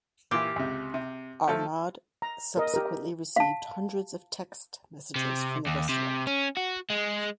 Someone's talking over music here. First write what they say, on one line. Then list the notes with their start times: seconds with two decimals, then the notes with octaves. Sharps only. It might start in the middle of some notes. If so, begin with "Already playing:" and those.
Arnaud subsequently received hundreds of text messages from the restaurant.
0.31 A#2 E3 G4
0.56 C#2 C3
0.94 C3
1.48 F3 A3 A4
2.22 A#5
2.57 A#4 D#5
2.74 G4 A#4
3.36 F5 A5
5.16 C3
5.66 D#2
5.89 C3
6.27 C#4
6.57 F#4
6.90 G#3